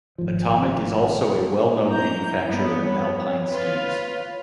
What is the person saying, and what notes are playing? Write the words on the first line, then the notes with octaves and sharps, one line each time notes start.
Atomic is also a well-known manufacturer of alpine skis.
G#1 F3
E4 A#5 G6
G2 B3 C#5
F4 B4